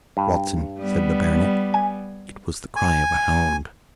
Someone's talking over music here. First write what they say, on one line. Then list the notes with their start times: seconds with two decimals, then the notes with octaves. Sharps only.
"Watson," said the baronet, "it was the cry of a hound."
0.17 G2
0.80 G3 B3
1.74 G#5
2.76 G#5